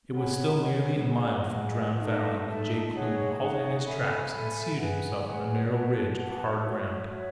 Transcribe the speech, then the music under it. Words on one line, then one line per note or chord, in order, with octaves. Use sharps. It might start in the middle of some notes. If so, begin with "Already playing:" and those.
It was still nearly a mile from Drowned Valley when Jake Kloon halted in his tracks and seated himself on a narrow ridge of hard ground.
G#4 C#5 F#5 B5
G#4 C#5 F#5 B5
G#4 D#5 F#5
G#4 D#5 F#5
D#4 A4 E5 A5
D#4 A4 E5 A5
D#4 G#4 C#5 F#5
D#4 G#4 C#5 F#5
A4 E5 G#5 B5
A4 E5 G#5 B5
G#4 B4 F#5
G#4 B4 F#5
B4 F#5 A5
B4 F#5 A5
F#4 C#5 E5
F#4 C#5 E5